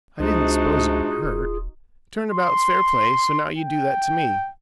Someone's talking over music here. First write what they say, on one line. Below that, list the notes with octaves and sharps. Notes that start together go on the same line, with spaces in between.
"I didn't s'pose it would hurt. Turn about's fair play; so now you do that to me."
C#2 C3 G#3 D4 D#4 F4 F#4 G#4
D#1
C6
G5